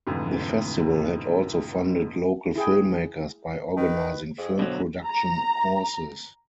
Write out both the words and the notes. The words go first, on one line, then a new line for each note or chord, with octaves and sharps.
The festival had also funded local filmmakers by organising film production courses.
F1 F2 G#2 D3 E3
E4 G#4 G5
D#3 B4
F2 G#4
B2 D3 F#3 C5
A#5